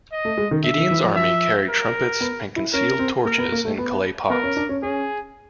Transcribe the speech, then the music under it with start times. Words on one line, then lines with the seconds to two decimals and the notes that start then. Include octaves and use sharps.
Gideon's army carried trumpets and concealed torches in clay pots.
0.12 D#5
0.25 A3
0.37 G#3
0.51 D#3
0.64 D3 E5
0.77 D#3
0.91 E3
1.04 F3
1.16 F3 E5
1.69 A#4
2.21 B3
2.56 E4
2.73 C#4 A#4
2.99 C4
3.25 A#3 A#4
3.38 B3
3.52 A#3
3.65 A3
3.78 B3
4.30 B3 A#4
4.43 C#4
4.56 D4
4.69 C#4
4.83 C#4 G#4